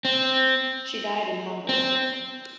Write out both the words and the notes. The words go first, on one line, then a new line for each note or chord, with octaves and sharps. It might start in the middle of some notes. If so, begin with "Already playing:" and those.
She died in Hamburg.
C4
C4